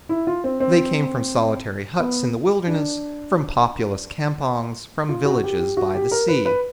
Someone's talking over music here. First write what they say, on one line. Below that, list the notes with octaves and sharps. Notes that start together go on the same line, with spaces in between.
They came from solitary huts in the wilderness, from populous campongs, from villages by the sea.
E4
F4
C4
C4
B3
D4
F4
F#4
G4
G4
F#4
G4
A#4
B4
B4